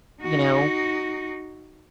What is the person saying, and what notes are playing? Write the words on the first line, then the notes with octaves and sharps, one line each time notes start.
you know,
D#4 F#4